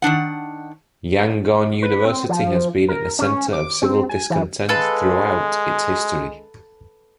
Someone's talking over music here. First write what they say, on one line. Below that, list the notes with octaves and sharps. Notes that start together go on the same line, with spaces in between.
Yangon University has been at the centre of civil discontent throughout its history.
D#3 E3 D4 F#5
B4
C4
F3
A#4
C#4
D6
C4
G#5
E3
G#3 A4 B4 F5